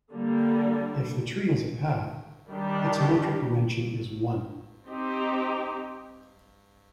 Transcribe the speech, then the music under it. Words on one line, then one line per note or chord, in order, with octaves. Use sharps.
If the tree is a path, its metric dimension is one.
D3 G3 A#3
D#3 G3 D4 G4
C4 D#4 G4